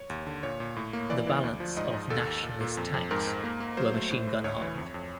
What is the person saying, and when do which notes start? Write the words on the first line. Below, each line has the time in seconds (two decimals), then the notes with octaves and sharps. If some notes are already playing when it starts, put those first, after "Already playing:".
The balance of "Nationalist" tanks were machine gun armed.
Already playing: C#5
0.10 D#2
0.27 D3
0.43 A#2 C#5
0.60 A#2
0.76 A2
0.93 A#3
1.10 E3 D5
1.27 E3
1.44 D2
1.60 F3
1.77 G#2 D#5
1.94 G#2
2.10 D#2 A4
2.27 D#2
2.43 A#2
2.61 A#2
2.77 F2
2.94 F2
3.11 G#2 A#4
3.27 G#2
3.44 A#3
3.60 A#3
3.77 F#3 C5
3.94 A3
4.11 A2
4.27 A2
4.44 D2 C#5
4.61 E3
4.78 F2
4.94 F2